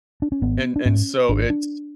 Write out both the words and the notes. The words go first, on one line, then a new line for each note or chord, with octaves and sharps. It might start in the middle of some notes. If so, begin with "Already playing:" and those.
and and so it's
D4
C#4
G#1 B3
D4
G#2 C#4
G#1 D4
D4